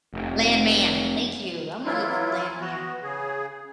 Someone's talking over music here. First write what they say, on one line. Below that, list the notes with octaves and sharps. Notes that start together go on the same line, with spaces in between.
Landman. Thank you. I'm gonna look for Landman.
F1
E3 F#3 E4 F4
B3 F#4
C#3 G#4